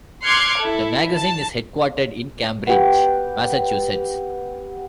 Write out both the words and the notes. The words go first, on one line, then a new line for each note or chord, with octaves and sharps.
The magazine is headquartered in Cambridge, Massachusetts.
C6 D6 F6 F#6 G#6 C#7
E4 A4
A5
B3 G4